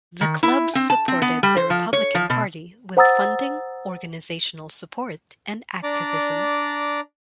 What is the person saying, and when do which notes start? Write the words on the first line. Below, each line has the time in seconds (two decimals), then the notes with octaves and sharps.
The clubs supported the Republican Party with funding, organizational support, and activism.
0.21 D#3
0.43 E4
0.75 C4
0.90 A5
1.08 C4
1.22 B3
1.43 G3
1.57 C5
1.70 F3
1.93 C#5
2.15 F3
2.30 B2
2.97 C5 F#5 A#5 D#6 E6 A6
5.83 D4 D5 A#5 D6